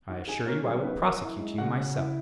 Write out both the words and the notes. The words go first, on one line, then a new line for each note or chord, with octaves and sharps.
I assure you I will prosecute you myself.
D#3 F#4 F#5
D#3 G#4 G#5
A#3 C#4 A#4
F#3 G#4
D#3 B3 B4
F#3 A#4 A#5
E4
G#3
C#3 F#4 F#5
C#3
E4